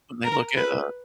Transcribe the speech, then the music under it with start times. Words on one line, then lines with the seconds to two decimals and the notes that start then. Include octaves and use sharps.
when they look at, uh
0.24 A#4
0.56 B4